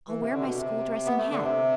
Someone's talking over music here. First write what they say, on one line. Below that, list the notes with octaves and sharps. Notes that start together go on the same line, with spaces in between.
I'll wear my school dress and hat.
E3
C3
D3
C3
B2
C3
B3
A3
D3
C3